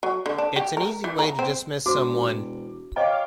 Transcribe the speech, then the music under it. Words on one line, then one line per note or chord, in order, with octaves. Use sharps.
It's an easy way to dismiss someone.
F#3
D3
D4
G4
A#4
E3
A#5
C4
E1 F#4 C5 D6
C5 C#5 D#5 F5 G5 A#5 D6